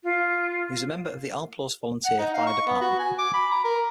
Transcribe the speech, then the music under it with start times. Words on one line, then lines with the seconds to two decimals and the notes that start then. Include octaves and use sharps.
He was a member of the Alplaus Volunteer Fire Department.
0.04 F4
2.05 F#5
2.19 D#4
2.34 F5
2.47 C#6
2.67 B3
2.81 F#4
2.99 G#5
3.19 D6
3.34 B5
3.51 A#5
3.65 A#4